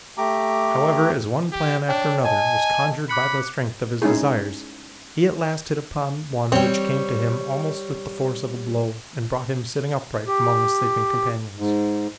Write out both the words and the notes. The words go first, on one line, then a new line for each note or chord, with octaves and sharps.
However, as one plan after another was conjured by the strength of his desires, he at last hit upon one which came to him almost with the force of a blow and brought him sitting upright among his sleeping companions.
A3 G4 A#5 D6
G4
D4 C#5 G5
D#5 G#5 A5
B5 D6 F#6 C#7
G#3 C#4 D#4 E4 G#4
G3 C4 C#5
G4
G#2